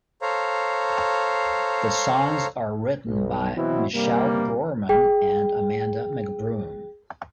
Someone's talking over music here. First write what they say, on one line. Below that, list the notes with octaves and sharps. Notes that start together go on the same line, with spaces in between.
The songs are written by Michelle Brourman and Amanda McBroom.
A4 C5 C#5 F5 A#5
B1
B2 E3 F#3 C4 E4 F#4
G2 C3 G3 A#3
G#4 G5